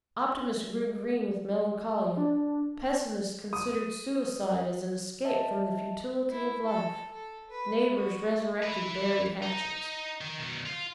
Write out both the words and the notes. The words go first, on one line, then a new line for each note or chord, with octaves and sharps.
Optimists grew green with melancholia, pessimists considered suicide as an escape from the futility of life, neighbors resurrected buried hatchets.
D4
D#6
D#5 E5 A5
E4
A4
A4
B4
F#4
E4 B4
D#4
D#3
B2 D#3
F4